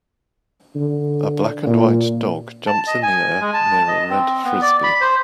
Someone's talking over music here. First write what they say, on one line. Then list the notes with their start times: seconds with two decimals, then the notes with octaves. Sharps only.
A black and white dog jumps in the air near a red Frisbee.
0.75 D3
1.66 A#2
2.67 A5
2.87 D#5
3.03 G#5
3.41 G#3
3.54 A5
3.88 D#5
4.10 C4
4.44 B3
4.62 D5
4.83 B5
5.01 C5